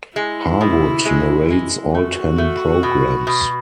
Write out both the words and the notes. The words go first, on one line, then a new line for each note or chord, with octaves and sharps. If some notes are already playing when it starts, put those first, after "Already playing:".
Harwood narrates all ten programmes.
G#3 E4
B2
G#3
G#3
A3 F#4
A3
B2
B2